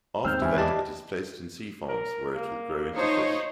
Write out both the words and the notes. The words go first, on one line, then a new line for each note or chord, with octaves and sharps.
After that it is placed in sea farms where it will grow into fish.
G1 D#2 G#2 C4 E6 F6 G6
E2 E5 G#5
G4 D5 D#5 A5
A#4
A#3
F3 D#4 C5 C#5